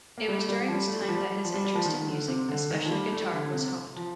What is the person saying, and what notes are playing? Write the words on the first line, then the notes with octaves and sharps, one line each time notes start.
It was during this time that his interest in music, especially guitar, was honed.
A#3
G3
A3
G3
G3
F3
G3
A3
G3
F3
G3
F3
G3
G3
F3
D#3
D3
C3
D3
D#3
F3
G3
A3
G3
D3
D3
C3
F3